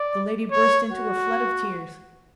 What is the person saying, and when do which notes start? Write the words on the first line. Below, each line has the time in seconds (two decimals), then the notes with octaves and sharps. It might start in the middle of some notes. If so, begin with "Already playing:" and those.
The lady burst into a flood of tears.
Already playing: D5
0.51 C#5
0.92 F#4